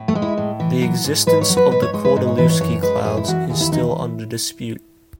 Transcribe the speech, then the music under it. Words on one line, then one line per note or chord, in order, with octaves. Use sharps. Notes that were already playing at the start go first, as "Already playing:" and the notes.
The existence of the Kordylewski clouds is still under dispute.
Already playing: A2
A3
G#3
E4
A2
E3
F#3
G#2
G#2 B4
C#5
F#3
B4
G#2 B4
C#5
G#3 C#5
B4
G#2 D#4
C#5
E3 B4
C#5
F#2 C#5
G#3 B4
F#2 G#4
E4
E3 F#4
D#2 G#4
E4
E3 D#4